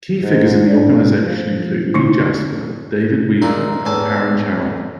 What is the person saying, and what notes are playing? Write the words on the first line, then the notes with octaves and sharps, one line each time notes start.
Key figures in the organisation include Lee Jasper, David Weaver and Karen Chouhan.
G#2
D4
F3
D3 D#4 E4
A#2 D#4 E4 G#4
E2 A2 G#5 A5